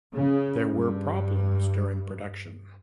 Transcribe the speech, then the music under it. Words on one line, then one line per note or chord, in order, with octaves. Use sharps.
There were problems during production.
C#3
G2